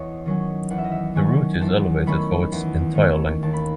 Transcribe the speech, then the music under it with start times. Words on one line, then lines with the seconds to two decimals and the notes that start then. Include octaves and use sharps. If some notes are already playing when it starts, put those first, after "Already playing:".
The route is elevated for its entire length.
Already playing: E2 C#5 D#5
0.26 D#3 F#3 C#4 D#5
0.70 E2 F#5
0.78 E5
0.84 D#5
0.92 E5
1.15 D#3 F#3 C#4 G#5
1.61 E2 A5
2.07 D#3 A3 C#4 B5
2.52 E2
2.95 D#3 A3 C#4
3.43 D#2 A5
3.54 B5